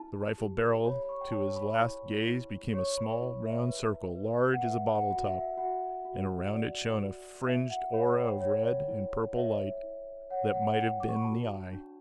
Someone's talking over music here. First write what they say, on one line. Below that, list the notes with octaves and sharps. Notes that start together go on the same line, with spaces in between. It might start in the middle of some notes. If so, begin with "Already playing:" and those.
The rifle barrel to his last gaze became a small, round circle, large as a bottle top, and around it shone a fringed aura of red and purple light. That might have been the eye.
Already playing: E4 A5
G4
C#5 B5
B5
C#6
G5
C#5 A5
B5
E4
E4
C#5 C#6
B5
E4
E5
B4
B4
F#5
B4 E5
F#5
F#4
E5
E5
F#4 F#5
F#4
D5
F#4
E4 E5
F#5
C#5 B5
G5
C#5
E4
C#5 E5
E4
C#5 F#5
F#5
G5
F#5
E4 G5
D6
C#6
B5
F#4 A5
D4